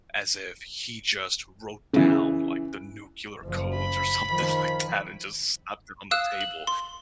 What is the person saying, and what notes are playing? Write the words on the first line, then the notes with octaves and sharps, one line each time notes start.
as if he just wrote down like the nuclear codes or something like that and just slapped it on the table,
C#3 E3
F#1 F3
B5
D#3 F3
F5 D#6 E6 F#6 E7
F#7
C6